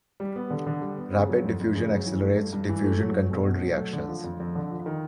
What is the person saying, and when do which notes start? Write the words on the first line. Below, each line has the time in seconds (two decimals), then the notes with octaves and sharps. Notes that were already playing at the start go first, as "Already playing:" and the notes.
Rapid diffusion accelerates diffusion controlled reactions.
0.20 G3
0.36 B3
0.50 D3
0.66 D3
0.82 G3
0.98 B3
1.13 C#3
1.29 F#3
1.44 F2
1.60 F2
1.75 C#3
1.91 F#3
2.07 E3
2.22 A3
2.37 G2
2.53 G2
2.69 E3
2.84 A3
3.00 F#3
3.15 A3
3.31 B2
3.46 B2
3.62 F#3
3.77 A3
3.93 D3
4.09 F3
4.24 F2
4.40 F2
4.55 D3
4.71 F3
4.86 D#3